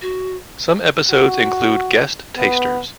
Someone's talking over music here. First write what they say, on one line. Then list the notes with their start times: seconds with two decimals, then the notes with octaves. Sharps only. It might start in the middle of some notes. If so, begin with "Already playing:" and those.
Some episodes include guest tasters.
0.02 F#4
1.10 F#4
2.37 B3